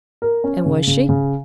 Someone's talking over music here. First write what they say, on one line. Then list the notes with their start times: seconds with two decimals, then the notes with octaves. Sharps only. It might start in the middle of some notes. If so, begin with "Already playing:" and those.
"And was she?"
0.22 A#4
0.44 C#4
0.66 C#3
0.87 C#3
1.09 C#3